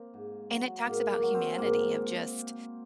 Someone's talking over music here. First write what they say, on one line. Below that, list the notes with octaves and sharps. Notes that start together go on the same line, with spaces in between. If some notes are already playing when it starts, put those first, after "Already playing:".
And it talks about humanity of just
Already playing: A#3 C4
G#2
F#3
G#2 A#3
A#3
F#3
C4
G#2 A#3